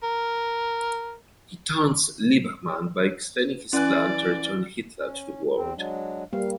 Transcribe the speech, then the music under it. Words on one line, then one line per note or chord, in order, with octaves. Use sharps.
He taunts Lieberman by explaining his plan to return Hitler to the world.
A#4
E3 C#4 D5 G#5 F#6
C#4
E2 C4
F#3 G#3 D4
G3 A#3 F5